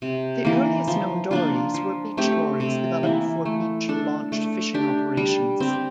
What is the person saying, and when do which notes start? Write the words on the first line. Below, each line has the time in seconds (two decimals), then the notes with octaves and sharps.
The earliest known dories were beach dories developed for beach-launched fishing operations.
0.02 C3
0.45 E3 A#3
0.88 F3
1.31 A#3 D4 F4
1.74 F3
2.17 A3 C4 G4
2.60 C3
3.03 E3 A#3 E4
3.45 A3
3.89 D4 A4
4.32 A3
4.74 D4 G4
5.17 G3
5.60 C4 G4